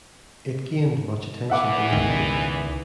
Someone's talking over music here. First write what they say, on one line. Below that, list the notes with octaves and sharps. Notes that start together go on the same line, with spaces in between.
It gained much attention in the media.
E2 A#2 E3 E5 F#5 D6
C#2 B2 D#3